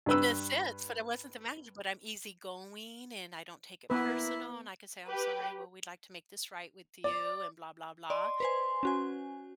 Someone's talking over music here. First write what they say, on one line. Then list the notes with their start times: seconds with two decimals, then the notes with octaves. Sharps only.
In the sense, but I wasn't the manager, but I'm easygoing, and I don't take it personal, and I can say, "I'm sorry, well, we'd like to make this right with you," and blah blah blah,
0.06 G2 B4 E6
3.90 A#3 B3 E4 B4
5.06 G4 B4
7.04 D5
8.10 D5 D#5 C6
8.40 B4 C5 G#5
8.83 C#4 F#4 G#5